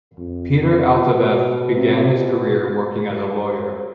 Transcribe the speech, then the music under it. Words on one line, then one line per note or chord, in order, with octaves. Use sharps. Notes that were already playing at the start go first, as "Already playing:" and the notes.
Peter Altabef began his career working as a lawyer.
F2
B2
C3
B2